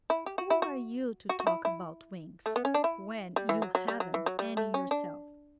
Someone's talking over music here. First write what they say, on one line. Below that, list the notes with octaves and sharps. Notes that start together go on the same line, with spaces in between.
"Who are you, to talk about wings?--when you haven't any yourself."
E4
G4
F#4
E4
F#4
F#4
F#4
E4
E4
A3
B3
C#4
D4
E4
G3
E3
F#3
F#3
G3
F#3
E3
F#3
G3
A3
C#4
D4